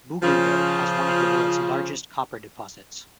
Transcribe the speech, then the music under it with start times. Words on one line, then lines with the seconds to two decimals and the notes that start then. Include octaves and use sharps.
Bougainville has one of the world's largest copper deposits.
0.23 C#3 F3